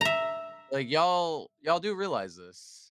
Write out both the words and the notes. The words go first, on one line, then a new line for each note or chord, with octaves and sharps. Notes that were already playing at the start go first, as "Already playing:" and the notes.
Like, y'all y'all do realize this."
E5 A#5